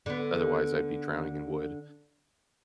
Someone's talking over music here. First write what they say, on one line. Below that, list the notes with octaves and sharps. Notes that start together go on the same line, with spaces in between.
otherwise I'd be drowning in wood.
D3 B3